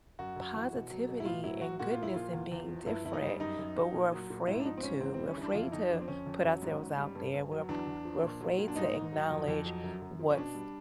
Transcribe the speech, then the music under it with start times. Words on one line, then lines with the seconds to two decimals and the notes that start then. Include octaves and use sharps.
positivity and goodness in being different, but we're afraid to, we're afraid to put ourselves out there, we're p we're afraid to acknowledge what's
0.19 F#2 F#4
0.36 F#2
0.55 E3
0.73 B2
0.90 F#3
1.08 B2
1.20 E4
1.25 A2 F4
1.43 F#3 E4
1.61 A2 F#4
1.79 A#2 F#4
1.91 F4
1.98 F3 E4
2.14 A#2 F4
2.33 E2
2.52 E2
2.69 F3
2.86 G2 E4
3.05 G2 E4
3.13 D#4
3.22 G3
3.40 F#2 D#4
3.58 F#2
3.76 F#3
3.94 A#2
4.12 F#3
4.30 A#2
4.47 G#2 E4
4.60 D4
4.65 F3 D#4
4.77 C4
4.83 G#2 C#4
5.01 E2 C4
5.14 C4
5.18 G3
5.27 C#4
5.37 E3 D4
5.52 F2 F4
5.62 E4
5.72 F2 D#4
5.90 F3 D4
6.01 C4
6.08 F2 C#4
6.26 F2
6.44 F#3
6.62 G#2
6.79 G#2
6.97 G3
7.15 G2
7.34 G2
7.52 F#3
7.69 E2 D4
7.87 E2
8.05 F3
8.23 A#2
8.41 F#3
8.58 A#2
8.68 D4
8.76 G#2 D#4
8.94 G#2
9.12 F#3
9.29 F2
9.48 F2
9.65 F#3
9.83 F#2
10.02 F#2
10.19 F3
10.31 C#4
10.37 B2 D4
10.54 G3